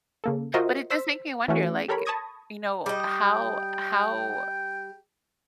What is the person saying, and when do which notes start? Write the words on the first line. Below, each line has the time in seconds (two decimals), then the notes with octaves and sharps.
But it does make me wonder, like, you know, how how
0.24 C#3 A#3 A4
0.54 F4 F#4 A#4 C5 D#5 E5
0.90 C5 E6 B6
1.48 E3 A3 C#4 F#4
1.88 G4 A4 A#4 C#5 B5
2.05 A5 B5 C#6 D#6 G#6 A#6
2.86 G3 D#5 G5